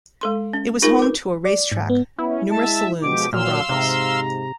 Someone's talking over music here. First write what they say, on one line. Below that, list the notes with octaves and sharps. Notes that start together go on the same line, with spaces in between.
It was home to a racetrack, numerous saloons, and brothels.
G#3 A4 C6
C#4
D#4 F4 G#4 A#4
B4 D6
D5
G#2
B3
B3 C#4 E4
G#3 E5 A5
B2 F3 G#3 G4 D6
A#2 F#3 F5 C6 E6 F6
G#2 C3 A#5